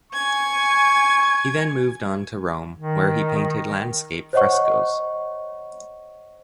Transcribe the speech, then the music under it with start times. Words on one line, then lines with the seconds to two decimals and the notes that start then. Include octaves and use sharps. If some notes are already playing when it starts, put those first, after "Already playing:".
He then moved on to Rome where he painted landscape frescos.
0.13 G#5 C#6 G#6
2.78 D#3
4.33 C5 C#5 D#5 F#5 C#6